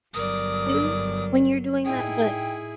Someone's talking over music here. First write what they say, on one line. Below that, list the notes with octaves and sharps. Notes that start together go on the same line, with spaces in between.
too, when you're doing that, but,
G1 F#3 A#4 D5 D#6
A2 D#4 E4 G#4 G5